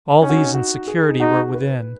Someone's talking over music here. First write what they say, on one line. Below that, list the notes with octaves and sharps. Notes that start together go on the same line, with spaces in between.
All these and security were within.
C#4 D#4
F#4
D#4
F#4
G#4
G#4
D#4
D#4 F#4
B4